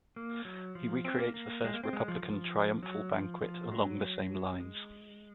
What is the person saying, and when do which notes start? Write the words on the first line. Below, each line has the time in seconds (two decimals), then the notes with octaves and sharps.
He recreates the first Republican triumphal banquet along the same lines.
0.16 A#3
0.45 F#3
0.75 F3
1.05 C4
1.19 A#3
1.34 A#3
1.64 G#3
1.74 A#3
1.84 C4
1.93 G#3
2.08 F3
2.23 F3
2.83 F#3
3.13 F3
3.42 F3
3.72 F#3
4.60 G#3